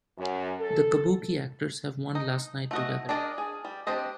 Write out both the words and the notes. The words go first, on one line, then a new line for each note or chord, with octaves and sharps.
The kabuki actors have one last night together.
F#2
A4
D#4
A3 F#4 D#5
D4 G#4 A#4 D5 D#5
G#4
G3
C4 D4 G4 D#5